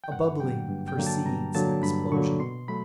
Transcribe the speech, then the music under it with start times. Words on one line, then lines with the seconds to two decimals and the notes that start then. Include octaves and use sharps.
A bubbling precedes an explosion.
0.04 G5
0.12 G2 F#5
0.40 D3 F#3 A#3 G5
0.69 G2
0.88 G5
0.97 D3 F#3 A#3
1.07 A5
1.26 G2 A#5
1.55 D3 F#3 A#3 A5
1.83 G2 B5
2.12 D3 F#3 A#3 C#6
2.40 B2 C6
2.68 F#3 A3 B5